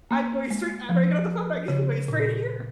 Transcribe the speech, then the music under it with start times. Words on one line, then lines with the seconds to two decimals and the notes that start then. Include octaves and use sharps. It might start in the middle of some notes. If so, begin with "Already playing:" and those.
I'm going straight after I get off the phone, I'm go gonna go straight here."
0.11 A#3
0.51 G#3
0.89 F3
1.68 C#3
2.08 A#2